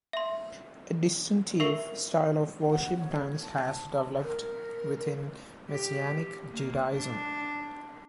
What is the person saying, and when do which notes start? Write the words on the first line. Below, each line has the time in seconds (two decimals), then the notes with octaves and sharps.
A distinctive style of worship dance has developed within Messianic Judaism.
0.13 E5 C6
1.60 A#4 E5 C#6 C7 F#7
2.70 F#5
2.98 C#5
3.41 A5
4.23 A#4
5.70 G4
6.51 A#3
6.92 D4